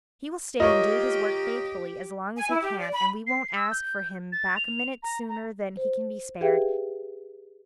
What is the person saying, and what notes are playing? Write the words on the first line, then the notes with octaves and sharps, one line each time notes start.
He will stay and do his work faithfully as long as he can, and we won't ask for him back a minute sooner than he can be spared.
F4 G4 A#4 C#5 D#5
G#5
E4
G4
D5
B5
C7
E6
G6
A6
F7
A#5
A#5
C5
G4 G#4 B4 E5 F5 G5